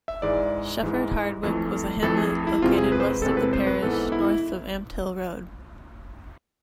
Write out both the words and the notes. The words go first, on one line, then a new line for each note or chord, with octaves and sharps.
Shefford Hardwick was a hamlet located west of the parish, north of Ampthill Road.
E5
G#2 E3 G#3 D5
G#2 E3 G#3
F2 E3 A3
F2 E3 A3 A4
G#4
E4
E2 C3 G#3 C4 F4
G#4
B4
C5
B4
E2 C3 G#3 C4 A4
B4
C5
B4
G#2 E3 B3 A4
E4